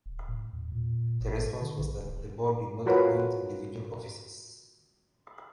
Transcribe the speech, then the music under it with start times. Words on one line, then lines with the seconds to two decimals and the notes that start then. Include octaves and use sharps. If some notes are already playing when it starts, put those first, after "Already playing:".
The response was that the Board did not appoint individual officers.
0.06 D#1
0.29 A2
0.53 E2
0.72 A#2
1.20 G#1
1.62 D3
1.78 A#1
2.00 D#1
2.86 F4 F#4 A#4 B4 C#5